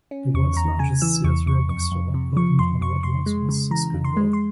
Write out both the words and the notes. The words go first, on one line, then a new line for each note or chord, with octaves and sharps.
The world's largest Sears Roebuck store opened on what once was skid row.
C#4
E2 C#6
E2 A#5
C#3 G#5
E3 E6
E2 C#6
E2 C#6
F2 C#6
F2
C3
F3 C#6
F2 C6
F2 C#6
F2 C6
G#3
C#3
E3 A#5
F2
C6
G#3
C6